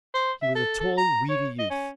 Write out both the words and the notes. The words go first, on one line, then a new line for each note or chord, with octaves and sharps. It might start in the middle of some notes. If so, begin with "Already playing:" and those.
He was a tall, weedy youth.
C5
E5
A4
A4
A#5
C#5
D#5
C#4